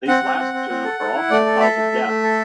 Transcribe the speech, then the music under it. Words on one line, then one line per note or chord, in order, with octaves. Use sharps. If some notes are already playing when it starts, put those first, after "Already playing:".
These last two are often the cause of death.
C4 F#5
C4
C4
C4
C4
A4
A4
E4
A3 D5
A4
A4 E5
A3
A3
A3
A4